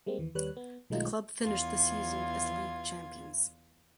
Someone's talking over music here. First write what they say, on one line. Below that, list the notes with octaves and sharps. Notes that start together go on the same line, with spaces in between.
The club finished the season as league champions.
G3 G#3 A#3 C4
D#2 E3
D#2 G3 B4 C#5 F#6
B3
B1 D#3 G#3 A3 D#4 F4
E2 F4 G#6